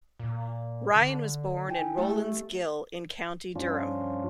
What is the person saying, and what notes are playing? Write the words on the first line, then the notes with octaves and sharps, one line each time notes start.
Ryan was born in Rowlands Gill in County Durham.
A#2
D3
E4 G5 G#5
A3 G4
G2 F3 C#4 D4 F4